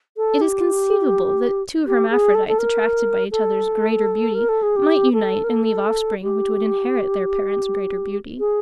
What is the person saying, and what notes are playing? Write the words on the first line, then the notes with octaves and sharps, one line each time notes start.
It is conceivable that two hermaphrodites, attracted by each other's greater beauty, might unite and leave offspring which would inherit their parents' greater beauty.
A4
G4
G4
G#4
A4
A4
A#4
A4
A#4
A4
G#4
G4
A4
A#4
A4
G4
G#4